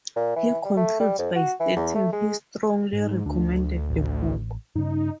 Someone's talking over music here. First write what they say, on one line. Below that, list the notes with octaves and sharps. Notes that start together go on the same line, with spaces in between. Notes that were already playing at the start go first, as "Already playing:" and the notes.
He concludes by stating he "strongly" recommended the book.
A#2
E3
G3
A3
G3
F2
F#4
E3
E2
A3
G#3
G#2
D2 D4
A1
G2 C#3 D#4